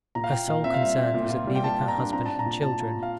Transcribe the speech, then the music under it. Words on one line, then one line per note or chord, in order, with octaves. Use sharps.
Her sole concern was at leaving her husband and children.
A#2 A#5
F5
A#2 G5
A#2 F5
C4 E5
F5
G3 E5
C4
A#2
F4
G3
G5
G3 A5
F4
A#5
D4
C4 A#5
C4 A5
A#5
A#2
A#2 A5
F4
A#2
F5